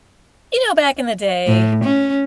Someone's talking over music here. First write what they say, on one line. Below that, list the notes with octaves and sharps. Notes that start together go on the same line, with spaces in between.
you know back in the day,
A2
C#4